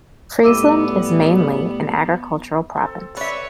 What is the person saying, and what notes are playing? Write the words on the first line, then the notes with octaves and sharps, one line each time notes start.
Friesland is mainly an agricultural province.
A2 G3 B3 A4 E5 D6 E6 D#7
C4 A4
B4 C#5 D5 E5 C#6